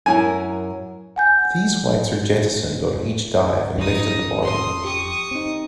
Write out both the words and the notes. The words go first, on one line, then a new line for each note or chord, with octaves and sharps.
These weights are jettisoned on each dive and left at the bottom.
F#2 E4 A#4 G#5
F#5 G#5 G6
F2 F3 C#4 D#4 D#6
A4 C6 D#6
G4 C#6 D#6
C4 D#4